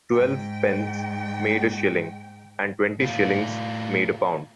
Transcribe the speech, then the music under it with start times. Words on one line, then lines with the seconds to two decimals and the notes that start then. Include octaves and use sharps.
Twelve pence made a shilling, and twenty shillings made a pound.
0.13 G#2 G5
3.00 A2 F4